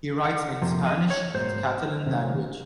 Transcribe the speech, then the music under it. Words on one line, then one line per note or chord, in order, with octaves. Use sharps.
He writes in Spanish and Catalan language.
F#5
F2 C3 F3 A#3
D#5
C#5
G#2 F#3 A#3 C5
C3 D#3 F#3